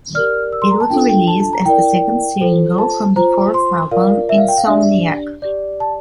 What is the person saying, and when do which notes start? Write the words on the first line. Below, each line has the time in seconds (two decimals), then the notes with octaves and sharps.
It was released as the second single from their fourth album, "Insomniac".
0.15 G4 A#4 D5 F6
0.53 E6
0.62 C6
0.71 A#5
0.80 A5
0.90 D4 F4 A4 G5
1.09 G5
1.27 A5
1.40 A5
1.53 A#5
1.65 E4 A#4 D5 G5
2.41 F4 A4 C5
2.78 A5
3.16 F4 C5 A#5
3.54 C6
3.91 F4 A#4 D5 F5
4.29 E5
4.38 F5
4.48 G5
4.58 F5
4.66 D4 G4 D5 E5
5.42 G4 D5
5.80 A5